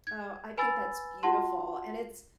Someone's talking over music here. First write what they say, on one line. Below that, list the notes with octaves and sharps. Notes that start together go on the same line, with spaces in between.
Oh, I think that's beautiful, and it's
G#6
B4 G#5 B5 E6 A6
F4 F#4 F#5 A5 C6